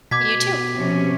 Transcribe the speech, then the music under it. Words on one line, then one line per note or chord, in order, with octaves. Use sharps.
You too.
B2 D6 G#6 B6
C3 F3 C#4